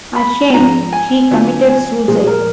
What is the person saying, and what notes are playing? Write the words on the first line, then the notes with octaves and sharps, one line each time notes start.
Ashamed, she committed suicide.
B5
G#2 F3 G#3 D4 F4 A#5
G#5
D3 F#3 B3 D4 F4
G#5
A#2 F3 G#3 G#4
A#4